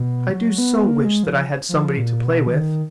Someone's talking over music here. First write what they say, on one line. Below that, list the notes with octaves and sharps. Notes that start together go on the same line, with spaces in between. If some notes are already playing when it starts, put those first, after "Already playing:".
I do so wish that I had somebody to play with.
Already playing: B2
F#3
B3
A#3
G#3
F3
F3
A#2
B2
F3
D#3